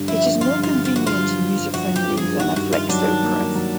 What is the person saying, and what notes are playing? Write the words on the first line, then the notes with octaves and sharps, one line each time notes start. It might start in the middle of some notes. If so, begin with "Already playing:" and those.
It is more convenient and user friendly than a flexo press.
Already playing: G2 D3
F3 E4
D3
F3 F4
G2
F4
D3
F4
F3
F#4
G2 F4
F3
G2
G2
F3 F#4
F3
G4
G2
G#4
G2
D#3 F#4
G2 F#4
D#3 F4
F#3 D4
D#3
A#3
D#3
F#3